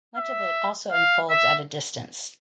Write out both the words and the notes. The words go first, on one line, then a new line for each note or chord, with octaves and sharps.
Much of it also unfolds at a distance.
E5
F5
E5